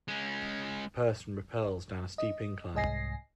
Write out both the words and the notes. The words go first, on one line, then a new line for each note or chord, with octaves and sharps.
A person rappels down a steep incline.
G#3 C#4
D#5
C2 G#2 D#5 G#5 A#6 C7